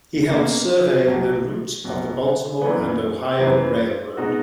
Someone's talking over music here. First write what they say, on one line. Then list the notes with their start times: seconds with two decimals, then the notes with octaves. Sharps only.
He helped survey the route of the Baltimore and Ohio Railroad.
0.29 B2 A#3 C#4
1.07 B1 B2 F#3
1.84 B1 B2 F#3
2.62 F#2 E3 B3
3.39 F#2 E3 B3
4.17 B2 G#3 D#4 F#4